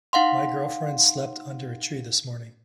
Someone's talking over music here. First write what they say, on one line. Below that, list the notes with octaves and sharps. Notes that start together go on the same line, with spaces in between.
My girlfriend slept under a tree this morning.
D#4 F5 F#5 C6